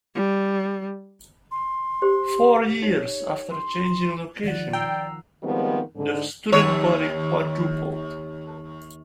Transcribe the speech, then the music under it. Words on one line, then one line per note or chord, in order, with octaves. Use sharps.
Four years after changing locations, the student body quadrupled.
G3
C6
G4 C5
D#4 C#5
C6
D#3 F3 D5 F#5
G5 A#5 E6 C7
D#3 F3 G3 G#3 B3 C4
G#2 D3
D#2 C#5